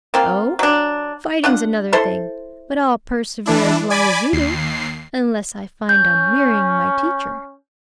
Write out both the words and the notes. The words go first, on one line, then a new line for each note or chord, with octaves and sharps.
"Oh, fighting's another thing, but I'll persevere as long as you do; unless I find I'm wearying my teacher."
A#3 C4 F4
F#3 D4
D4 F4 F#5
E4 A4 C5 C6
E3 D4 E4
D5 G#5 B5 D6
D#2 C7
C#4 G6